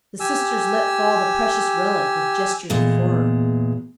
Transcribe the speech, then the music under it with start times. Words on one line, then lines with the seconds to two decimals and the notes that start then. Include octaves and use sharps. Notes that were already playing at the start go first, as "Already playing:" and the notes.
The sisters let fall the precious relic with gestures of horror.
0.20 G4 G#5 E6
2.70 E2 A#2 G#3